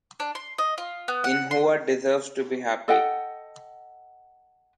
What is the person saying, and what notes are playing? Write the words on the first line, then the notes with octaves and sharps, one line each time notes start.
Ainhoa deserves to be happy.
D4
C6
D#5
F4
B3
F#5
C6
A4 D#5 F#5 G5